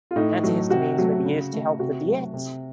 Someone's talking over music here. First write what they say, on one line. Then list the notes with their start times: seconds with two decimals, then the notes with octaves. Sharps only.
Antihistamines may be used to help with the itch.
0.11 F4
0.16 A2 D#4
0.44 F#3 A3
0.70 C3 F#4
0.98 F#3 A3
1.25 C#3
1.53 A3
1.79 C3 F#4
2.06 F#3 A3
2.33 C3